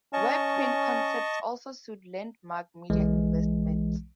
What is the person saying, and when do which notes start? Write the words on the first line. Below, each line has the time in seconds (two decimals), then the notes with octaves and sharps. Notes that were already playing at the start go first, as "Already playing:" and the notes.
WebPrint Concepts also sued Landmark Media Investments.
0.13 C#4 D#5 A5 C#6
2.90 B1 E3 G#3